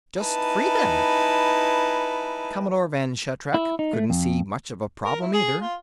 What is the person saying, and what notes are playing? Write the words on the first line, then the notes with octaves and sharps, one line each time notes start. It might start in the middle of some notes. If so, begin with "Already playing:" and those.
Just free them. Commodore Vann Shatrak couldn't see much of a problem, either.
D#4 E4 B4 G#5 A5
E4
D#4
A3
F2
A#4
E4
G#4
F4